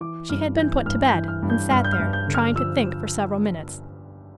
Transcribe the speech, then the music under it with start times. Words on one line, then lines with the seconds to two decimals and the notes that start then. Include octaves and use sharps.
She had been put to bed, and sat there, trying to think for several minutes.
0.01 E3 D6
0.29 G2 F6
0.57 E3 G6
0.86 G2 F6
1.08 G6
1.14 E3
1.28 F6
1.43 G2
1.50 G6
1.71 G2 F6
1.84 G6
1.92 F6
1.99 G2
2.13 G6
2.27 D3
2.35 F6
2.55 F3 E6